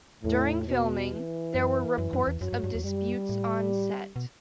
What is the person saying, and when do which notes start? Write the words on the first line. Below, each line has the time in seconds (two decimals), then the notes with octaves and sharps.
During filming, there were reports of disputes on set.
0.24 E2 A2
0.68 B2
1.11 E3
1.55 F#2
1.98 F#2
2.13 F#2
2.27 E2
2.41 F#2 F#3
2.53 G2
2.64 G2
2.75 E2
2.85 F#2 G3
3.29 A2
4.16 B2